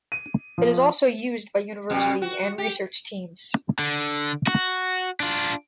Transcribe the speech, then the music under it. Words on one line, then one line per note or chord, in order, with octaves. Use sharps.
It is also used by university and research teams.
D#7
F3
F2 B2 G3
F#4
G4
D3
F#4
D4 F4